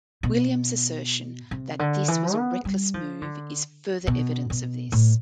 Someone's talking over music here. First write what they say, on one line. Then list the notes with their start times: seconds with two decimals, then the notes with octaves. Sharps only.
William's assertion that this was a reckless move is further evidence of this.
0.23 B2
1.51 C3
1.79 D3
2.08 E3
2.37 B3
2.65 G3
2.94 F3
3.22 D3
4.07 B2
4.50 B2
4.92 A2